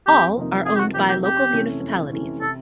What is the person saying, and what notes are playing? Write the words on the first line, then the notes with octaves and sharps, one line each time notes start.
All are owned by local municipalities.
F2 G4
C3 F3 A#3 D#4
F2 G#4
G4
F#4
C3 F3 A#3 D#4 G4
G4
F2 G4
C3 E3 A3 C#4
F2
C3 E3 A3 C#4
C3 A4